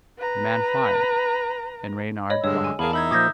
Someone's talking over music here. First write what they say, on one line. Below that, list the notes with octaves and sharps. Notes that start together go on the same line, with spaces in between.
The man fired, and Reynard dropped.
B4 A#5
C#5 D#5 B5
G2 D3 G#3 C#5 E6
G#5
E2 G#4 A#4 F5 A5 B5
D#4 E5 B5 G6 G#6
A#2 F3 D6 D#6 G6 G#6 A#6